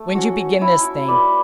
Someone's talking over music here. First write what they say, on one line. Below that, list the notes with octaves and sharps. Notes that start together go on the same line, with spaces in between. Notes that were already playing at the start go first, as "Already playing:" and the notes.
"When'd you begin this thing?"
Already playing: A3
C#4 F#4
E4
B4 D5